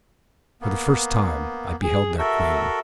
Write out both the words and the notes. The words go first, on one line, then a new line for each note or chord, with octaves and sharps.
For the first time I beheld their queen.
A#3 B3
G#4
F#4 A4 A#4 E5